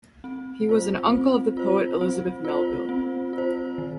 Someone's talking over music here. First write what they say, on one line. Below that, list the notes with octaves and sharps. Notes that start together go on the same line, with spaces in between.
He was an uncle of the poet Elizabeth Melville.
C4
F4 C5
C4
F4 C5
C4
F4 C5
C4
F4 C5
D#3